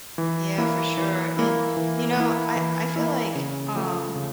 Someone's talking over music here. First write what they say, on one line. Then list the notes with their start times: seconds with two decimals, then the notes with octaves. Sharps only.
Yeah, for sure, and, you know, I I feel like, um,
0.18 E3
0.58 A#3 E4
0.98 E3
1.37 A#3 E4
1.77 E3
2.17 A#3 E4
2.56 E3
2.96 A#3 E4
3.35 C#3
3.75 F3 A3
4.16 C#3